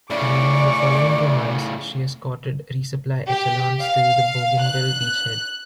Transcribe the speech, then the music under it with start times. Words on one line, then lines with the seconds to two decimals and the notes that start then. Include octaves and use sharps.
During the following two months, she escorted resupply echelons to the Bougainville beachhead.
0.10 A2 C#3 D5 C#6 D6
3.28 G4
3.80 F5
4.61 F#6